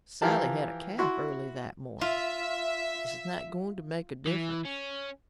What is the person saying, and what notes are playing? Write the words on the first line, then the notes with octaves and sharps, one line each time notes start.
"Sally had a calf early that morning. Isn't that going to make a difference?"
E3 F3 G4 A#4 F5 A5
E4 F#4 E5 C6
F4 E5
E3
C#4